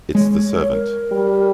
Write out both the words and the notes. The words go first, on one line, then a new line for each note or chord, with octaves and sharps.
It's the servant.
G#3 C#5
A#4
G3